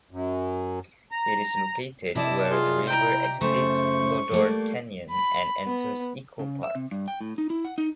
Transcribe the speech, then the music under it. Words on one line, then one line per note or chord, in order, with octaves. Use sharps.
It is located where the river exits Lodore Canyon and enters Echo Park.
F#2
A#5
C3 E4 D5 D#5 A5
F4 G#4
E4 G5 A#5
F#2 C#3 A3 C5 C#6
G3 A3 A#3
B5
B3
C#3
E5
C3
G2
G5
A2
D#4
E4
F#5
D#4